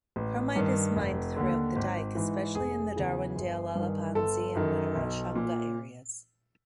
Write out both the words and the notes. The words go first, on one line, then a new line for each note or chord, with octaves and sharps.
Chromite is mined throughout the Dyke, especially in the Darwendale, Lalapanzi and Mutorashanga areas.
A1
G2 D#3
F1
D#2 D3
G#1
G#2 E3
F1 G#4
E2 C#3 E3
G1
G2 D#3
G1 A4
F#2 D#3
B1
A#2